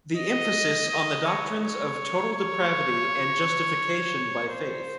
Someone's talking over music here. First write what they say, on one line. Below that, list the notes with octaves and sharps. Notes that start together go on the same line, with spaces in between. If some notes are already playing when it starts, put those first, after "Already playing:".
The emphasis on the doctrines of Total Depravity and Justification by faith.
D#5
D#5
C#5
C#5
C#5
C5